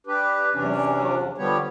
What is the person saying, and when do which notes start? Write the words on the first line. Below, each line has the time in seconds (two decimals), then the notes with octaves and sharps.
and so
0.07 D4 G4 B4
0.54 E2 C3 E3 C#4 D4
1.38 D3 F3 G3 B3 G4 C#5